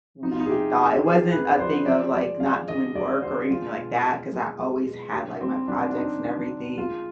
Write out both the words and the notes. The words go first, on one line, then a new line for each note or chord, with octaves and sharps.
we thought. It wasn't a thing of, like, not doing work or anything like that, 'cause I always had, like, my projects and everything
F3 D#4
F4
D#4
G#4
C3 G4
C3
G4
C3 G#4
C3 B4
D5
F3 C5
F3 D5
G#3 D5
G#3 F5
D3 D#5
G#3 D5
D3 C5
G#3 F4
B2
B2
G#3
G#3
B2
D3 G4
G3 C4
G3 D4
D4
D3 D#4
D3
D3
G#3 F4